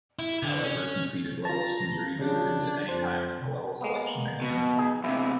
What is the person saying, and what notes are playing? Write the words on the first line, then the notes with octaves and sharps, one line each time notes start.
However, completed levels can be re-visited at any time from the level selection menu.
E4
D3
C#4
F4 A5 A#5
C#3 D4
F2 C5
G#3 A#3 B3
B2
D#4 G#4
E2 C3 G#3 E4